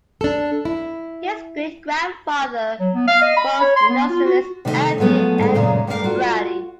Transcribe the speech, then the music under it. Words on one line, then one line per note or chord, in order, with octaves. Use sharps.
His great-grandfather was industrialist Anthony N. Brady.
D4 A4
E4
F#3
B3
F5
D#5
B5
C#5
C6
B3
F4
F#4
C3 D#3 A3 A4 D#5 E5
F3 F#3 G#3 A3 B3
G#2 D3 G#3
F#2 A#2 C#3 G#3 A#5
G2 G3 A3 D4 A#4 F5
F4 F#4